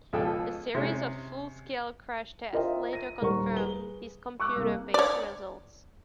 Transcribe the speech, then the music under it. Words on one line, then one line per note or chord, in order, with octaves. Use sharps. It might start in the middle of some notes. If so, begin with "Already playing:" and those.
A series of full-scale crash tests later confirmed these computer-based results.
C#2 B2 F3 G#4 A4 G5
C3 G#3 C#4
F4 A#4 C5 D#5 E5 G5
A#6 D#7
D#1 A#4 C5 F#5 C#6
G#4 B4 G7
C#6 D6 E6 F#6
C2 A#3
C#5 D5